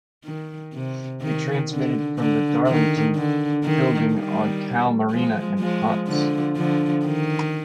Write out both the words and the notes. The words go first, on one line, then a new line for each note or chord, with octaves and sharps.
It transmitted from the Darlington building on Calle Marina in Ponce.
D#3
C3
D#3
D3
D3
D#3
D3
D#3
D#3 G3
F3 G#3
F3 G#3
D3 F3
D3 F3
D#3